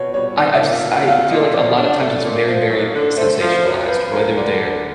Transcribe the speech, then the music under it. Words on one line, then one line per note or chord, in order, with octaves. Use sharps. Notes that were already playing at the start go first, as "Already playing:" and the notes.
I I've s I feel like a lot of times it's very, very sensationalized, whether they're
Already playing: B2 C#5
G3 C#5
D#4 D5
E5
A#3
F5
B2
F#5
A3 F5
A#2 D#5
F3 D5
D4 C#5
A3
A#2
F3
F#2
D3
A3 C5
F3
C5
F#2
F3 B4
D2 A#4
D3
D2